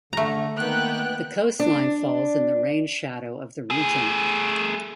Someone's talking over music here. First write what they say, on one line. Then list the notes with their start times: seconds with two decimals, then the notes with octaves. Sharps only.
The coast line falls in the rain-shadow of the region.
0.13 D3 A3 A#5
0.58 D#3 A#3 B3 G5 F#6
1.60 D4
3.70 A3 G#4